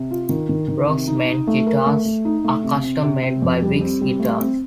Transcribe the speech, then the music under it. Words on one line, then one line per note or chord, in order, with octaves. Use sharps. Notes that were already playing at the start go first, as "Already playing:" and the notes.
Brock's main guitars are custom made by Wicks Guitars.
Already playing: C3
F4
D#3
D#3
D#3
C3
D#4
D#4
A3
A#4
A3
A3
D#4
A3
C3
C4
C3
C4
F2
G3
C4
G3
A3
C4